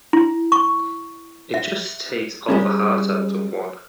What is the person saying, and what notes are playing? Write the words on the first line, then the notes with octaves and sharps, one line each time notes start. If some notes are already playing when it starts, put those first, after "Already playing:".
It just takes all the heart out of one.
E4
C#6
E5
G3 G#3 C#4